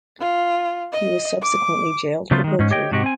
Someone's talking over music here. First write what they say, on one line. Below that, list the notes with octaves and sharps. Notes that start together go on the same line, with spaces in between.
He was subsequently jailed for perjury.
F4
D#5
D6
C#3 F#3 A3 B3 F4 C5
D#3 G#3
G#2 C#4
G4 C#5 D#5 G5
G#2 C3 F#4 G4 D#5
C4 G#5